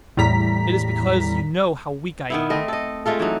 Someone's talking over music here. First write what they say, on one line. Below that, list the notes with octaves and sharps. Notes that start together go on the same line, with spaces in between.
It is because you know how weak I am!
E2 A2 G3 A#5 B6
D#3 B3 E4
A3 C4 D#5
A4 D#5
G#3 A3 F4 A4
E3 F#3 D#4